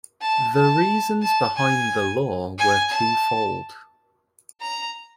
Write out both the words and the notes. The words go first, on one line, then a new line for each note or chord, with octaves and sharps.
The reasons behind the law were twofold.
A5
A5
A5
G#5
G#5
A5
A#5